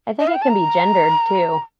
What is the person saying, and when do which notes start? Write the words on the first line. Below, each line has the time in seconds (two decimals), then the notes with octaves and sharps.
I think it can be gendered too.
0.20 D#5
0.28 F5
0.35 G5
0.42 A5
0.50 A#5